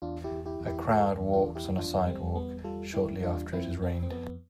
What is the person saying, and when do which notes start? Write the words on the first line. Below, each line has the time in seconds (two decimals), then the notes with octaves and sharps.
A crowd walks on a sidewalk shortly after it has rained.
0.02 E2 D4 F4
0.24 E4 G4
0.31 E2
0.46 E4 G4
0.60 E2
0.67 E4 G4
0.89 E2 F4 A4
1.19 E2
1.33 D4 F4
1.48 E2
1.55 E4 G4
1.77 E2 D4 F4
2.06 G3 C4
2.35 E2 B3
2.64 G3 F4 A4
2.94 G3 E4 G4
3.23 E2 D4 F4
3.53 F3 C4 E4
3.82 F2 C4
4.03 C4
4.11 F2 B3